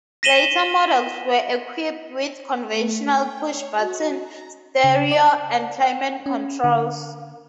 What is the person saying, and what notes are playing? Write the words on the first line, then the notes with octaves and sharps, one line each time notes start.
Later models were equipped with conventional push button stereo and climate controls.
A#6 B6 D#7 E7 F#7 G7
A3
G5
C#5
F#4
A#5
C#3
D5
F#5
C#4
D3